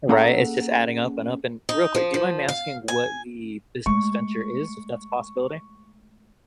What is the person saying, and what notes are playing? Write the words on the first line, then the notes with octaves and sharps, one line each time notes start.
Right, it's just adding up and up and, real quick, do you mind me asking what the business venture is, if that's a possibility?
A#3 C#4 G#4 A4 F#5 A#5
D#4
F3
F3
F5
G#5
G#3 A3 C#6